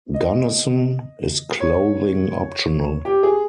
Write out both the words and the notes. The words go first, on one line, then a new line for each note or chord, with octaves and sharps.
Gunnison is clothing optional.
D#5
C#5
G4
G#4